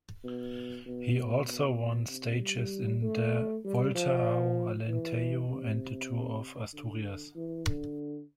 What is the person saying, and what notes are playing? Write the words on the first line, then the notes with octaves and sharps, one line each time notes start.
He also won stages in the Volta ao Alentejo and the Tour of Asturias.
B2
B2
B2
C3
G3
A3
G3
F3
E3
C3
D3
E3
D3